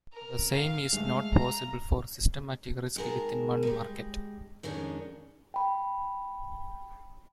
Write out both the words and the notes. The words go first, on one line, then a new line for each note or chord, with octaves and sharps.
The same is not possible for systematic risk within one market.
A#4
F5
G#3 A3
A#5
D#3 G#3 G#4 A#4 A5
G3 G#3
F2 D#3 G#3 C#4 D4
G5 B5